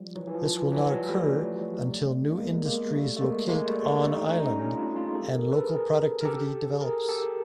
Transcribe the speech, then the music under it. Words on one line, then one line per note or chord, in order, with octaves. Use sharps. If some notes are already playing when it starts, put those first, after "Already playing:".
This will not occur until new industries locate on island and local productivity develops.
Already playing: F3 G3
E3 F#3
E3
F3
E3
E3 F#3
F#3
F3 G3
G3 A3
B3
G#3 A#3
G#3 A#3
G3 A3
A3
G#3 A#3
G#3 A#3
G3 A3
G#3 A#3
G3 A3
D#4
C4 D4
C#4 D#4
C#4 D#4
F4
D4 E4
D#4 F4
G#4
G4 A4
G#4 A#4
A4 B4
G#4 A#4
A#4
G4 A4
G#4 A#4
G4 A4